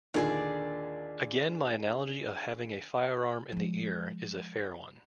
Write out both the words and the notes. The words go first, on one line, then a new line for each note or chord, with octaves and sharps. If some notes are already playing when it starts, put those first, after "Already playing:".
Again my analogy of having a firearm in the ear is a fair one.
D#2 A#2 D3 D4 G#4 D5
F3 G#3